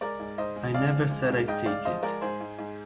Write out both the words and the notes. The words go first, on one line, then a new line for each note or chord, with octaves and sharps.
I never said I'd take it.
G#3 A#4 D5
G#2
G#2 C5 D#5
G#3
G#3 D5 F5
F3
G#3
G#2
G#2 D#5 G5
G#2 D5 F5
F3 C5 D#5
G#3 A#4 D5
G#2 G#4 C5
G#2
G#2